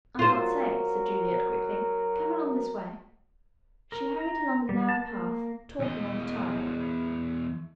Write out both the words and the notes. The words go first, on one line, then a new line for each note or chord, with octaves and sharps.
"I can't say," said Juliet quickly; "come along this way." She hurried along the narrow path, talking all the time.
F#3 F4 F#4 A#4 C5
A#4
A#5
G3
A5
A#3
E2 D#5